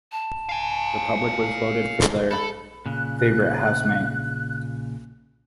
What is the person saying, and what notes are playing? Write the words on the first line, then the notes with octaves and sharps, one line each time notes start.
The public was voted for their favourite housemate.
A5
F5 G#5
A4 B5
A#2 C#3 F#6